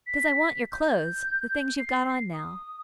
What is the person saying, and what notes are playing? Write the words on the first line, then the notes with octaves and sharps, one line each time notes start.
'Because I want your clothes--the things you've got on now.
B6
G6
C7
D#6